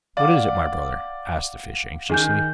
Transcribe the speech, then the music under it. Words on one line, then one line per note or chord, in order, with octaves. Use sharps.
'What is it, my brother?' asked the fish anxiously.
D5 F5 F#5 D6
D#3 G#4 G#5 G6